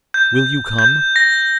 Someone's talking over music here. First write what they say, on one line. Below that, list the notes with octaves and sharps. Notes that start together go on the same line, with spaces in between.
Will you come?
G6
G6
A#6